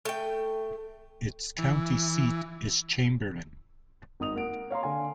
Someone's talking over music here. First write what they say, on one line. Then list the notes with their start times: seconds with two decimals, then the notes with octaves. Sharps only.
Its county seat is Chamberlain.
0.05 A3 G5
1.58 E3
4.20 G#1 D#4 D#6 F7
4.35 A#3 F#5 D7
4.71 C#5 F5 A#5 C6
4.82 D3 F5 G#5 C6